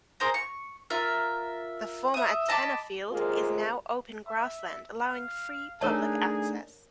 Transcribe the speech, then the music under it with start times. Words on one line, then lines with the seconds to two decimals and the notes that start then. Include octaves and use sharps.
The former antenna field is now open grassland allowing free public access.
0.20 G#4 A#4 C5 A#5
0.34 C#6
0.90 F4 A#4 E5
2.14 E5 D#6
2.49 D#5 A5 B5 D6
3.11 D#2 C3 G#3 A#3 F4 A#4
4.28 E5
5.04 F5
5.81 A3 D4 D#4 G#4 A#4 C#5 A5